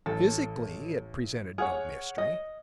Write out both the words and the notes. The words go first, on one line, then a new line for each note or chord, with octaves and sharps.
Physically it presented no mystery.
A1 A4
G#4 C#5 F#5 F6
D#5